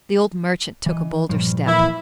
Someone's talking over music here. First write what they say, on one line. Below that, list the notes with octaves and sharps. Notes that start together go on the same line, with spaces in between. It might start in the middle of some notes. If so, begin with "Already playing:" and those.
The old merchant took a bolder step.
E3 D#5
G2 A#2 F3
E3 A#3 E4